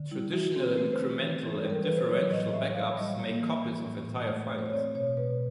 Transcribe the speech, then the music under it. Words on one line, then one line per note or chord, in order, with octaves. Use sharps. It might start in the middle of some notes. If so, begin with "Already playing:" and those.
Traditional incremental and differential backups make copies of entire files.
Already playing: D3
G3 E4
E3 F#4
C4
B4
A3
C5
C4
E3
E3
A4
G3 A#4
E3 B4
C5
F#3 C#5
A2 D#5
D#5
A2 E5
A2 F5
G3 D#5
A#3
E3
E3
A2
A2
A3
A3
C5
C#5
C4 D5
B2 C#5
B2 B4